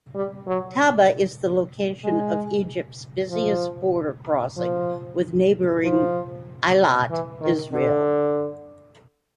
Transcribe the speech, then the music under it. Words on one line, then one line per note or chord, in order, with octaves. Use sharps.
Taba is the location of Egypt's busiest border crossing with neighbouring Eilat, Israel.
G3
F#3
G#3
F3
F3
F3
E3
D#3
D3